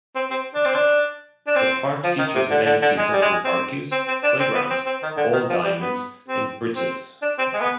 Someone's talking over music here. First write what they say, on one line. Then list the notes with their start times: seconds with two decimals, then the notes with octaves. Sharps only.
The park features amenities such as barbecues, playgrounds, ball diamonds, and bridges.
0.16 C4
0.31 C4
0.55 D4
0.66 C4
0.75 D4
1.47 D4
1.56 C4
2.04 F3
2.19 D#3
2.35 C3
2.51 D3
2.66 D3
2.82 D3
2.98 G#3
3.13 G3
3.22 G#3
3.45 C4
3.92 C4
4.08 C4
4.24 D4
4.40 C4
4.55 B3
4.70 C4
4.86 C4
5.03 D#3
5.17 D3
5.33 D#3
5.50 F3
5.65 G3
5.81 B3
6.28 C4
6.75 C4
7.22 D4
7.39 C4
7.54 G#3
7.61 B3